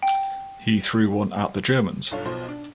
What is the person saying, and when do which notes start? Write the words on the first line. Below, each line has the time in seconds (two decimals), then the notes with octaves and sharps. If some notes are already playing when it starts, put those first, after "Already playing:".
He threw one at the Germans.
0.03 G5
2.11 B1 G2 F4 A4 C#5
2.25 B1 B2 F3 C5
2.49 D4